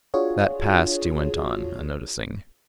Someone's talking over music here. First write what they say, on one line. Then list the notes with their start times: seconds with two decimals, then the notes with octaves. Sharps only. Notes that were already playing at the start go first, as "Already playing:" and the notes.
"That passed," he went on, unnoticing.
0.14 D4 F4 F#4 G#4 C#5